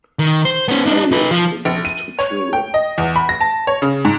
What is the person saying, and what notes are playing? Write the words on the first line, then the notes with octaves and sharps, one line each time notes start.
The marriage produced two children.
D#3
C5
B3 C#4
D4 D#4
D#4 B4
F3
A#1
D#7
C#5
G5
D#5
E2
B5
A#6
A5
C#5
C#3
G#2